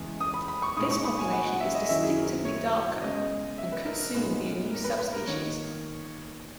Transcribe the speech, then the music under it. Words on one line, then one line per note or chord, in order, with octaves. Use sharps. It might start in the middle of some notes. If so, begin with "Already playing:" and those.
This population is distinctively darker and could soon be a new subspecies.
Already playing: E2 C#3 E3 G#3
D#6
B5
B5
C#6
A#2 G#3 D#4 D#6
C#6
B5
G#5
F#5
F#5
E5
D#5
F#2 D#3 F#3 C#4 E4 E5
G#4
A#4
C#5
C#3 G#3 B3 D#5
E5
B4
A#4
A#4
A#2 G#3 B3 D#4 B4
A#4
B4
B4
A#4
D#3 A#3 D#4 C#5